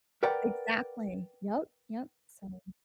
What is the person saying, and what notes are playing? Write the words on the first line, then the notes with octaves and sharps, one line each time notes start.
Exactly, yep, yep so
A#4 B4 D5 F#5 G5 A#5